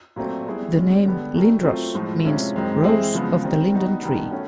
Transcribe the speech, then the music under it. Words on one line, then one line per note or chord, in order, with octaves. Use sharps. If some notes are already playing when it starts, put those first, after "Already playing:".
The name "Lindros" means "Rose of the Linden tree".
A#2 F#3 A3 C4
G3 B3 E4 G#4
B2 G#3 C#4
D3 G3 B3
F#3 A3 D4 G4 A#4
F#3 A3 C4 F4
A2 F3 G#3
C3 F3 G#3 C#4 E4
F#2 D#3 G#3 C4
E3 G#3 C4 E4 G#4
C#3 F3 G#3 B3
D#3 G3 C4
G3 B3 D#4 F#4
G2 D#3 G3 B3 D#4
A3 C#4 F#4